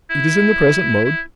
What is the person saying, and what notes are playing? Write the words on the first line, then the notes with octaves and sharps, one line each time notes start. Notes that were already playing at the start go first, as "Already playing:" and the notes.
It is in the present mode.
E4
E4